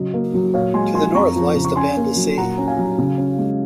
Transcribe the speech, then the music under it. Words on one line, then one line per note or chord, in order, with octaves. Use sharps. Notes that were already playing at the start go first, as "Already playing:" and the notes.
To the north lies the Banda Sea.
Already playing: C#3 F#3 D#5
A#3
F#3
A#2 C#5 F5
G#3 G#5 C6
F3 G#5 C6
F2 A#5 C#6
F3
C#3
C#6
C#4 G#5 C6
A#3
F#3
A#2 F#5 A#5
C#4
F5 G#5
F#3
C#3
C#4
G#3